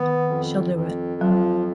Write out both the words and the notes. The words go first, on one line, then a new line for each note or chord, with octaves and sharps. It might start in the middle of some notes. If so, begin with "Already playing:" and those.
She'll do it.
Already playing: D#3 B3
F2
F2
F3 F#3